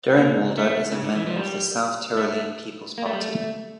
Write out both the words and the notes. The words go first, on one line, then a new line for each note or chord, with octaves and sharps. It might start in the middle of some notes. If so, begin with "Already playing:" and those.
Durnwalder is a member of the South Tyrolean People's Party.
A#3
A3
C#3
D3
E3
F3
G3
A3
A#3
A3
G3
A3